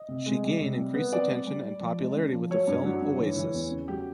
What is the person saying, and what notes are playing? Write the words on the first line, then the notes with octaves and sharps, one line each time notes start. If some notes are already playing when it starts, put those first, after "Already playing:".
She gain increased attention and popularity with the film "Oasis".
Already playing: D#5
C3
G#3
G3
C3
G3
B3
C4 D5
G3
G3
G3
F3
G#3
C#3
F3
F#3 C#5
G2
F#3
G2
E3
E3
E2
C#3
F#3 G4